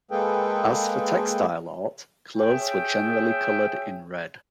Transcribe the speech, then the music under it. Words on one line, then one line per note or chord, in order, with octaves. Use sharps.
As for textile art, clothes were generally colored in red.
G#3 A#3 G#4 A4 B4 G5
G#4 C#5 E5 G5